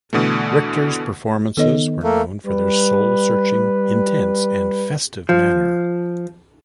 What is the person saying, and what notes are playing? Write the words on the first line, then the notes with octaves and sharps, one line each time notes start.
Richter's performances were known for their soul-searching, intense and festive manner.
B2 D3 E3 A3
D#3 B3 D#4 A4 C#5 D#5
A3 A#3
G3 B4
F3